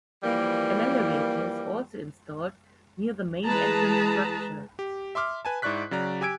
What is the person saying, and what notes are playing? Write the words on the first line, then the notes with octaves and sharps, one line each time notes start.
An elevator is also installed near the main entrance structure.
E3 F3 G3 A#3
E3 G#3 G#4 B4 A5 A#5
G4
E5 C6 D6 F6
B4 G#5 A5
G#2 E4 D5 C#6 F#6 B6
C#3 F#3 D5 A#5
G4 G#5 E6 G#6 D7